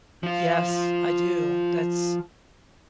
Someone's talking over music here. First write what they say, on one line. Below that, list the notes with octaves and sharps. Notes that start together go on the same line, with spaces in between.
Yes. I do. That's
F3 F4